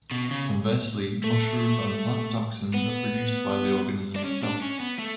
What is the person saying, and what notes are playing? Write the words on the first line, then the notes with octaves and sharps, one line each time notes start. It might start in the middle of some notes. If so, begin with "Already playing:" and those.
Conversely, mushroom and plant toxins are produced by the organism itself.
B2
C#3
A3
B3
D4
C#4
D4
C#4
B3
A3